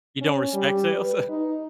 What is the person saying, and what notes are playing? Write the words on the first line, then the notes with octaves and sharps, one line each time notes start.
You don't respect sales?
C#4
G3
B4
D#4